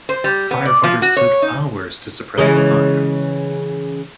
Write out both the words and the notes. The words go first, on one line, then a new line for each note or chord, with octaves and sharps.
Firefighters took hours to suppress the fire.
C5
G3
B3
D5
F3
F#4
C#5
D#4
C#3 E3 G#3